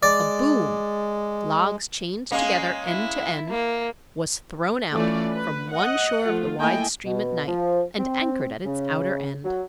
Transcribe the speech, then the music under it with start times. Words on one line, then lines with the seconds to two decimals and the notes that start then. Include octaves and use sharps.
A "boom", logs chained together, end to end, was thrown out from one shore of the wide stream at night, and anchored at its outer end.
0.03 G#3 D5
2.31 G#3 A#3 C#4
2.86 E4
3.49 A#3
4.93 E3 A3 C#4 F4 D5
5.31 B4
5.72 D#5 F#5
6.24 F3 A3 F4
6.58 A3 A#3 E4 D#5 G5 G#5
7.05 B2
7.48 F3
7.99 C4
8.65 C#3
9.45 F#3